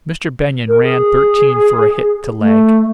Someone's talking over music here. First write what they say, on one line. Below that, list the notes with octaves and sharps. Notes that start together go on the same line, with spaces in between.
Mr. Benyon ran thirteen for a hit to leg.
A#4
G#4
A3